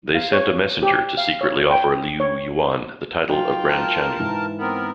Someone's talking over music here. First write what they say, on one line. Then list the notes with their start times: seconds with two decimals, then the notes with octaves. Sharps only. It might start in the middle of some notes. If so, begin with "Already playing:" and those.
They sent a messenger to secretly offer Liu Yuan the title of Grand Chanyu.
0.15 F5
0.32 C#5
0.83 G4
1.17 F5
1.41 C#5
1.71 G5
2.20 C#5
3.28 F#3 D#4 F4 G5
3.68 A#4 A5
4.20 G#2 E3
4.59 B3 C4 A#4